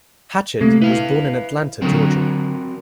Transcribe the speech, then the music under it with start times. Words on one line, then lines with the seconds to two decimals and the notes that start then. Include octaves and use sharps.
Hatchett was born in Atlanta, Georgia.
0.61 C3 A3 A#3
0.82 E4 B4 F5
1.82 D3 F#3 C4 F#4 A#4